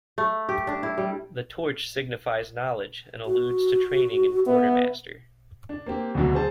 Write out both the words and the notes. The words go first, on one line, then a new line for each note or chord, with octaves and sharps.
The torch signifies knowledge and alludes to training in Quartermaster.
A3
G4
D4
E4
G3
F#4
B3 E5
D4
A#3 C4 G4
D2 B2 D3 F#3
G#4 C5 A5